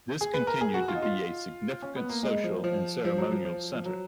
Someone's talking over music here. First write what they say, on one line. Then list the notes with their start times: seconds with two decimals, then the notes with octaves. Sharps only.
This continued to be a significant social and ceremonial center.
0.21 G#4
0.34 B4
0.47 A#4
0.61 G#4
0.74 F#4
0.88 F4
0.95 D#4
1.02 F4
1.82 C#4
1.96 B3
2.09 A#3
2.23 G#3
2.44 F3
2.64 F3
3.05 F3
3.18 F#3
3.31 F3
3.45 F3
3.74 F3
3.85 F#3